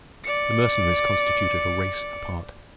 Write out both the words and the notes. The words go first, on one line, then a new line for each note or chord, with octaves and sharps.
The Mercenaries constituted a race apart.
D5 C#7